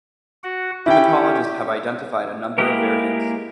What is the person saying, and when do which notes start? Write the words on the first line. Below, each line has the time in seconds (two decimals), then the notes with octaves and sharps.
Haematologists have identified a number of variants.
0.44 F#4 F#5
0.86 C#4 E4 G4 G5
2.58 G#3 A#3 E4 G4 A#4